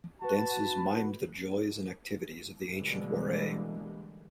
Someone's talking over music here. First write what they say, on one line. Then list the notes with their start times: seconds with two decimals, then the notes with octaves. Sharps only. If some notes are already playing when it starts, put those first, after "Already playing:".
Dances mimed the joys and activities of the ancient Waray.
0.22 F#4 B4 A5
2.74 B2 D3 E3 G3 G#3 A#3